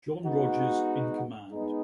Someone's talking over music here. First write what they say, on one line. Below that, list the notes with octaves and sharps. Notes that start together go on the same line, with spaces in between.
John Rodgers in command.
G#3 B3 D#4 F#4
G#3 B3 D#4